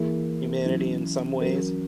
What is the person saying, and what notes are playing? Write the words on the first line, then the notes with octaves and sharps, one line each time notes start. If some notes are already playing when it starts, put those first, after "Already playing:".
humanity in some ways,
Already playing: E3 A#3 E4 G#4
F#3 C#4 E4
F#3 C#4 F#4 A#4